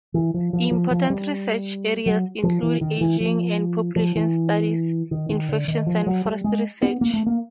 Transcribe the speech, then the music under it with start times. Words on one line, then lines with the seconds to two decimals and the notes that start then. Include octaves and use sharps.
Important research areas include ageing and population studies, infections, and forest research.
0.14 E3
0.34 F3
0.53 F3
0.71 F3
0.91 F3
1.10 G3
2.06 F#3
2.43 F3
2.62 E3
2.81 D#3
3.01 E3
3.20 F3
3.96 F3
4.16 E3
5.11 D#3
5.29 D#3
5.49 D3
5.68 D#3
5.87 F3
6.06 F#3
6.25 G3
6.44 G#3
6.82 B3
7.01 A#3
7.13 A3
7.26 A#3